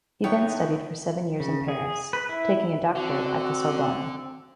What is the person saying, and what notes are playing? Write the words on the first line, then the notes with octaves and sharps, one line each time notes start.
He then studied for seven years in Paris, taking a doctorate at the Sorbonne.
D3 B3 D#4 E4 C#5 G5
C#3
G#4
B4
E4
D3 C4 F#4